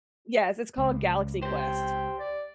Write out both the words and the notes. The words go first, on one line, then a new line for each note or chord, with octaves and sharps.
Yes, it's called Galaxy Quest.
C#2
G4 C5 G5
D5